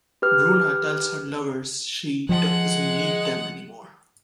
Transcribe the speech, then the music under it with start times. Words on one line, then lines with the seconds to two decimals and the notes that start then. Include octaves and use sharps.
Bruna tells her lovers she doesn't need them anymore.
0.22 G4 B4 F6
2.29 F3 G#3 F#5